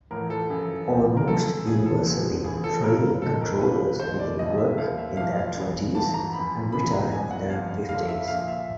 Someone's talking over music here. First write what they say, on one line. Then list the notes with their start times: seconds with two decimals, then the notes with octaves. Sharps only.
Almost universally, trainee controllers begin work in their twenties and retire in their fifties.
0.11 A1 A2 E3 A#4
0.30 A4
0.50 G1 F#2 C#3 E3
0.89 C#2 C#3 F3
1.17 A#4
1.27 E2 C#3 F3 A4
1.67 D2 C#3 F3 G#4
1.86 A4
2.05 D2 D3 F3 G#4
2.44 F1 E2 C#3 E3 G#4
2.64 A4
2.83 G1 G2 E3 A#4
2.96 A#4
3.22 D2 C3 D#3 A4
3.41 A#4
3.61 G1 F2 C3 B4
4.00 F1 D#2 D#3 C5
4.19 D5
4.39 B1 A2 E3 D#5
4.58 E5
4.78 D#2 D#3 F5
4.98 E5
5.17 B1 A2 F3 F5
5.56 D#2 C#3 E3
5.95 A1 G2 E3 A5
6.14 A#5
6.33 E2 C#3 F3 B5
6.72 G1 F#2 C#3 E3 B5
6.92 A#5
7.12 C2 B2 G#5
7.31 F#5
7.50 F#1 F2 C#3 F3 F5
7.89 G1 F2 D3 F3 F5
8.08 E5
8.28 A#1 A#2 F3 F5
8.48 E5